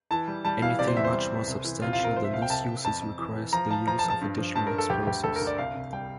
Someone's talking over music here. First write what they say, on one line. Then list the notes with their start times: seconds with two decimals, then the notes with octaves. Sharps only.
Anything much more substantial than these uses requires the use of additional explosives.
0.11 E3 A5
0.28 G3
0.45 G3 A5
0.62 E3 F5
0.79 C3 D5
0.87 C5
0.96 E2 E5
1.04 C5
1.13 G3
1.31 E2
1.47 C2
1.64 E3
1.82 C3 F4
1.93 F4
1.99 C2
2.04 A#4
2.16 F3 C5
2.25 E5
2.33 C2 F5
2.42 G5
2.50 C2 A5
2.68 C2
2.84 F2 A5
3.01 F2
3.19 E3
3.36 E3
3.53 F3 A#5
3.70 F3 A5
3.87 F3 A#5
3.99 A5
4.04 F3
4.10 A5
4.21 G2
4.38 F3
4.55 G2 A5
4.67 A#4
4.73 G2
4.78 A4
4.90 D2 G4
5.07 D2 G4
5.24 D2 A4
5.36 A#4
5.41 D3
5.47 D5
5.58 C2 F5
5.75 C2
5.93 G3 G5